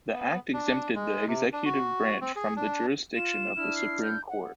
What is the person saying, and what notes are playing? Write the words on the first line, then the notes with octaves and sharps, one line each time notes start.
The Act exempted the Executive Branch from the jurisdiction of the Supreme Court.
B3
D4
G#3
C3
D4
F#4
C4
G#4
D4
F4 E7
D4 E4 F6
C7
G6
F#5